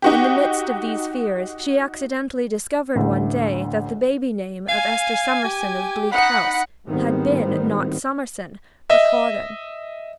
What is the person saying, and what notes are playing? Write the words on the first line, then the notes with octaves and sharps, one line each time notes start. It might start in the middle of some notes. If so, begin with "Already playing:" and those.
In the midst of these fears, she accidentally discovered one day that the baby name of Esther Summerson of Bleak House had been, not Summerson, but Hawdon.
D#4 F#4 G4
A1 D2
F5 G#5
G4
D#4 F#5 B5
G#1 A2 D#3 G3 B3 C4
D#5 E5